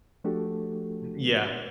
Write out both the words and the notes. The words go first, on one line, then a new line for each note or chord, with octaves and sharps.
Mm, yeah.
F3 A3 D4 F#4 G4 A4